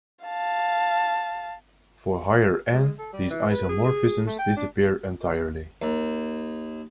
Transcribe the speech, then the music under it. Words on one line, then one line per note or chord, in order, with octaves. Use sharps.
For higher "n", these isomorphisms disappear entirely.
F5 A5
G#3
A4
G3
E3
B4
G#4
G#4
A3
G5
D4
D#2